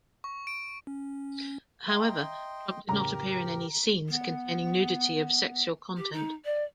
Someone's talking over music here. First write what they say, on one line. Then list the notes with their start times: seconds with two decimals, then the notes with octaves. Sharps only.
However, Trump did not appear in any scenes containing nudity of sexual content.
0.24 C#6
0.47 D7
0.87 C#4
1.88 D#5 E5 G5 A#5 C6
2.89 F2 A2 C#3 G4 A#4 A#5
4.08 B3
5.97 G4
6.12 D#4
6.45 D5